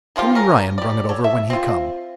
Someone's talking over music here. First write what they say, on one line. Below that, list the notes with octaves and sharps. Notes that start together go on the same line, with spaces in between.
Tommy Ryan brung it over when he come.
D#3 F3 F4 G4
C#4 A#4
G4 D5
A4 C#5
E5
C4 F4